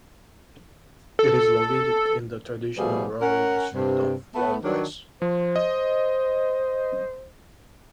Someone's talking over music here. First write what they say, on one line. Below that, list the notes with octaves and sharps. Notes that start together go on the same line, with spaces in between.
It is located in the traditional rural district of Valdres.
A4
B2 F3 G3 A3 B3 G#4
C#4 A#4 F#5
G2 C3
A3 B3
D#3 F#3 D4
F3 C5
D#5